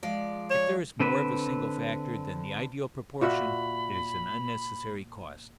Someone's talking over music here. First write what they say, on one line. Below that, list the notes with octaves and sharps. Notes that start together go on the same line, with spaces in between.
If there is more of a single factor than the ideal proportion, it is an unnecessary cost.
F3 G#3 D5
C#5
D3 C4 B4
A#2 F#4 E5 B5